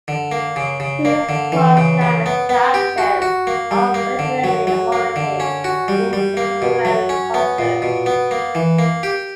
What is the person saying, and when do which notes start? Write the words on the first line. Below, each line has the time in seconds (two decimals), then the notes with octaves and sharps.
His prose laments the absence of originality and morality in contemporary culture.
0.08 D3
0.32 A#3
0.56 C#3
0.80 C#3
1.05 A#3
1.29 D3
1.52 E3
1.77 C#3
2.01 C#3
2.26 B3
2.49 B3
2.74 G4
2.98 F#4
3.22 F#4
3.47 A#3
3.71 G3
3.94 A#3
4.19 D3
4.44 F#3
4.67 F#3
4.92 A#3
5.16 D3
5.40 C#4
5.64 F#4
5.88 G3
6.13 G3
6.37 A#3
6.62 B2
6.85 F#3
7.09 C#4
7.34 B3
7.59 A#2
7.82 B2
8.06 B3
8.31 A#3
8.55 E3
8.79 A#3
9.03 G4